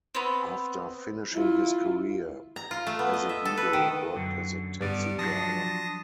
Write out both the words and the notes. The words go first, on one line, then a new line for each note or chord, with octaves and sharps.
After finishing his career, Azevedo worked as a taxi driver.
B3 C4
E4 F4
A#5
F4
A3
B3
D#5
E5
A4
B4
D#3
F#2 D3
G2 G3 B3 D5
F3 F#3 D4 A5 D#6 A#6